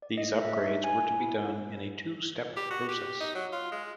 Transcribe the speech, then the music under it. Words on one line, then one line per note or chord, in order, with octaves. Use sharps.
These upgrades were to be done in a two-step process.
D5
D#5
E5
D#4
G#5
E4
G4
F#4
G4
D#4
F#3
F4
G#3